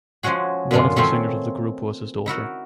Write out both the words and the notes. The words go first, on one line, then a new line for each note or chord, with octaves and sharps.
One of the singers of the group was his daughter.
F3 G#3 C#4 F#4 G#4
F#2 A#2 D3 G#3 B3 F4
D#3 A3 C4 C#4 F4 C5
D#4 E4 F#4 A#4